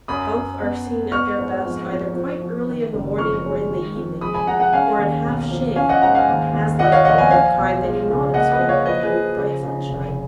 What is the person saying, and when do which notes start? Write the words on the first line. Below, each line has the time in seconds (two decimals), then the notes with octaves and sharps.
Both are seen at their best either quite early in the morning, or in the evening, or in half-shade, as, like all their kind, they do not expand their bloom in bright sunshine.
0.08 F#2 B5 D#6
0.34 F#2
0.60 B3
0.87 B3
1.12 B3 C#6 F6
1.38 G#2
1.64 F2
1.90 F2
2.15 F3
2.41 F3
2.67 D#3
2.93 F#1
3.18 F2 C#6 F6
3.44 G#3
3.70 D#3
3.96 F2
4.21 G#3 B5 D#6
4.34 G#5 B5
4.47 G#3 F#5 A#5
4.60 F#5 A#5
4.73 C#4 F5 G#5
4.99 D#2
5.24 B1
5.51 F3
5.76 C#4 F5 G#5
5.89 D#5 F#5
6.02 G#2 F#5 A#5
6.15 F5 G#5
6.28 D#2
6.54 D#2
6.79 A#2 D#5 F#5
6.92 C#5 F5
7.05 A#1 D#5 F#5
7.18 F5 G#5
7.31 F3 F5 G#5
7.57 B1
7.82 G#3
8.09 C#3
8.34 A#3 D#5 F#5
8.52 B4 D#5
8.60 A#3
8.69 C#5 F5
8.86 F3 B4 D#5
9.03 G#4 B4
9.11 F3
9.37 C#3
9.63 C#3
9.89 F1